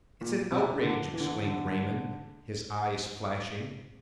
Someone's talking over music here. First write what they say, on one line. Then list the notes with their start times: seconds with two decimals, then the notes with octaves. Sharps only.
"It's an outrage!" exclaimed Raymond, his eyes flashing.
0.21 A#2
0.52 C3
0.82 D3
1.13 E3
1.20 D3
1.28 E3
1.45 D3